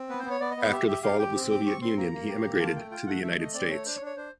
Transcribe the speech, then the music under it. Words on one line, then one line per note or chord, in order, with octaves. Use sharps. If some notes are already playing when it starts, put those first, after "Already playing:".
After the fall of the Soviet Union, he emigrated to the United States.
Already playing: C4
B3 B4
C5
B3
C#5
B3 D5
D#5
B3 E5
G4 E5
G4 E5
G4 F5
G4 G5
C4
G4 D6
C4 C#6
C4 C6
A#3 A#5
A#3
G4
A#3
F4 A5
A3 G5
F4 G5
A3 F#5
A3 E5
A3 D#5
C4 D5
A3 C#5
D4 C5
C#5
D4
C#5
D4 C5